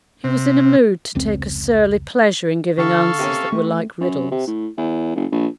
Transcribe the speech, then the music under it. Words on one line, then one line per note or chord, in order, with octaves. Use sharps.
He was in a mood to take a surly pleasure in giving answers that were like riddles.
C3
F1 C#2 C4
D3 G4 A4 F5 C#6
C3 A#3 C#4
A3
F#2
C3
A2
E2
F#1
A#1